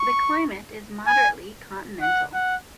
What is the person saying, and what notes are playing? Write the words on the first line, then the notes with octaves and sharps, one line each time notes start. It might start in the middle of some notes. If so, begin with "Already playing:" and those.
The climate is moderately continental.
Already playing: C#6
G#5
F#5
F#5